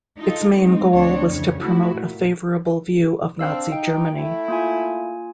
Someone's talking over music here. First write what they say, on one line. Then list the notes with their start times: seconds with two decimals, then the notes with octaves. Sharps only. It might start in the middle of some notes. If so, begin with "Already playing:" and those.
Its main goal was to promote a favorable view of Nazi Germany.
0.18 D#4 F4 A4
0.54 G#3 C4 D#4
0.93 D2 C4 D4 C#5
1.26 F2 C#3 E3 C#5
1.62 F#3 A3 E4 F#4
1.94 A#2
3.39 C4 D4 F5 E6
3.72 D#4 G5
4.13 A3 E4
4.48 A#3 F4 G#5